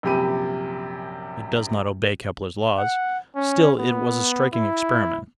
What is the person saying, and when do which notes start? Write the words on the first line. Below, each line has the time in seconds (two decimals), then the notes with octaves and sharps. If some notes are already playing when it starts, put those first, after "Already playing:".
It does not obey Kepler's laws; still it was a striking experiment.
0.03 A#1 F#2 C3 G4 B5 D#7
2.78 F#5
3.36 C#4
3.79 B3
4.53 E4